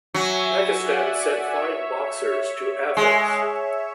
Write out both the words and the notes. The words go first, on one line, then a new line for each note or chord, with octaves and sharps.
Pakistan sent five boxers to Athens.
F#3 E5 G#5
E5 G#5
D5 F#5
C#5 E5
C#5 E5
G#3 C#5 E5